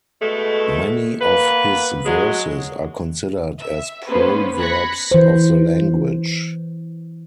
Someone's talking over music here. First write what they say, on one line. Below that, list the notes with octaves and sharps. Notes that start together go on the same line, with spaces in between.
Many of his verses are considered as proverbs of the language.
B2 G#3 A3
A#3 B3 B4
F#3 G#3
E5
A#3 B3 C#4 B4 C5
B5 F#6 G#6 A#6 B6 C#7
E3 C5